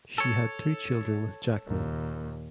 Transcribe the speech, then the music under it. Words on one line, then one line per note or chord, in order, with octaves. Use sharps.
She had two children with Jackman.
A4 C#5
D#2 A#2